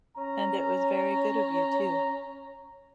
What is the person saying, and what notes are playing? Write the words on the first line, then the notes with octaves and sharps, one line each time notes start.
And it was very good of you, too.
C#4 A#5